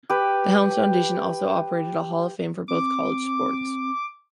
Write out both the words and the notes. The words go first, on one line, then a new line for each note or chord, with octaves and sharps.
The Helms Foundation also operated a hall of fame for both college sports.
G4 B4
C4 D6